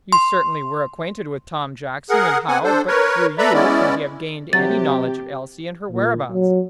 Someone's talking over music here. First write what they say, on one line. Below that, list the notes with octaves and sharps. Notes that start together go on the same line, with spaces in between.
"You certainly were acquainted with Tom Jackson, and how, but through you, could he have gained any knowledge of Elsie and her whereabouts?"
C6
G#4 A#4 F#5
B3 C4 F#5 G#5
D4 A4 C5
A#4 B4 C#5
A4 B4 D5 E5 A#5 B5
G#3 B3 C#4 E4 D5
C3 F#3 G4 A6
A#2
F#3